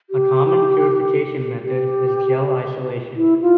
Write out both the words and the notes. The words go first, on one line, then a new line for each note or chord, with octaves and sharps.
A common purification method is gel isolation.
G4
G4
E4
F4